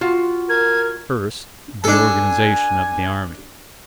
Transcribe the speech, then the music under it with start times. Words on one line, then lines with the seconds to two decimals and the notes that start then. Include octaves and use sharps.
First, the organization of the army.
0.01 F4 F#4
0.49 A#4 G#6
1.84 D4 A4 G#5